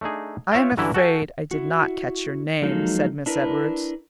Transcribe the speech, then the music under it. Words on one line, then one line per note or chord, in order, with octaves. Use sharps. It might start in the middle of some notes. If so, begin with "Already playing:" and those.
"I am afraid I did not catch your name," said Miss Edwards.
A3 D4 D#4 G#4
F4 C#5 E5 F5 G5
G2 D3 E3 F#3 C#4 E4
F#4 A4 G5 G#5
E4 F#4
F3 F#3 G#3 A#3 D#4 A4
D4 E4 A#4 B4